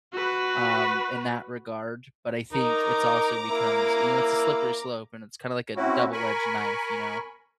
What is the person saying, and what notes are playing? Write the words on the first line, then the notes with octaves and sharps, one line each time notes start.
um, in that regard. But I think it's also becomes, you know, it's a slippery slope, and it's kinda like a double edged knife. You know?
F#4 B4
D#4 A#4 A#5 D6
A#3 E4
C4 C#4 E4 F#4
A#4 G#5 B5 C#6